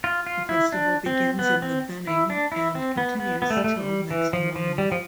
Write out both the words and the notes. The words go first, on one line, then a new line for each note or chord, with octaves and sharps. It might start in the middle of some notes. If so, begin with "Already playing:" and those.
The festival begins in the vening and continues till next morning.
F4
F4
E4
D4
C4
B3
C4
E4
D4
E4
C4
B3
B3
B3
A3
G3
A3
G3
E3
F3
F3
G3
F3